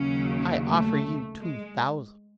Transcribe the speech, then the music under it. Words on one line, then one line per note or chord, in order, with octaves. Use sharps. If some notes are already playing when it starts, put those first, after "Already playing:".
"I offer you two thousand."
Already playing: D#2 C#3 F#3 C#4
A3
G#3